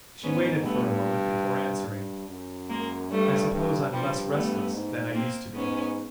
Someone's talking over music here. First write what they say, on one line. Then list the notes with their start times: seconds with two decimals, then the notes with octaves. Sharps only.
She waited for a moment before answering: "I suppose I'm less restless than I used to be."
0.22 G#2 B3 C#4
0.63 G2 A3 B3
1.87 G2
2.28 F#2
2.69 G#3 A#3
3.09 G2 G3 A3
3.50 G2
3.92 G2 F3 G3
4.32 A3 B3
4.74 G#2
5.14 A#3 C4
5.55 G#2 B3 C#4